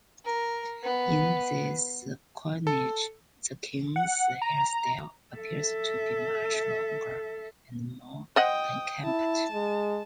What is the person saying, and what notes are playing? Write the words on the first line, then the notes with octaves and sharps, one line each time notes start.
In this coinage the king's hairstyle appears to be much longer and more unkempt.
A#4
B3
A4
F#5
A#5
A4 E5
C5 D#5 F#5 G5 D#6
E4 A5
G#3